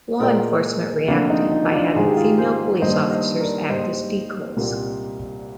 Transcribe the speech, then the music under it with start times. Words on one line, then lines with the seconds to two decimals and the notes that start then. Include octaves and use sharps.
Law enforcement reacted by having female police officers act as decoys.
0.20 A#2 G#3 A#4 D5
1.08 D2 C3 F3 A#3 D4 F4
1.30 D#4
1.52 D#4
1.72 D4 F4
1.95 G#2 D#3 G#3 G#4
2.06 G4
2.17 F4 G#4
2.38 G#4 C5
2.82 G2 D#3 G3 A#3 C5 D#5
3.11 C5 D#5
3.40 A#4 D5
3.70 G#2 G3 A#3 C5 D#5
4.56 C2 A#2 G3 A#3